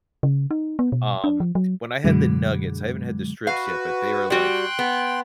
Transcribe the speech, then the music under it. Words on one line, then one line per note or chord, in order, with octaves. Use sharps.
Um, when I had the nuggets, I haven't had the strips yet, but they were like,
C#3
D#4
B3
B2
D4
F3
F#3
F#2 B2 D3 F#3 G#3
F#4 B4 F5
G3 F#4 G5 C6 F#6
B3